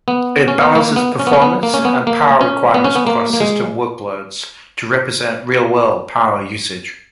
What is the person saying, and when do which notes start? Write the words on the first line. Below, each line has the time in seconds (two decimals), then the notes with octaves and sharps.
It balances performance and power requirements across system workloads to represent real-world power usage.
0.08 B3
0.48 C#4
0.61 B3
0.75 A#3
0.96 B3
1.20 C#4
1.27 B3
1.33 C#4
1.42 B3
1.63 A#3
1.74 C#4
1.85 B3
2.07 A#3
2.41 C#4
2.74 B3
2.84 C#4
2.96 B3
3.07 A#3
3.33 A#3
3.40 G#3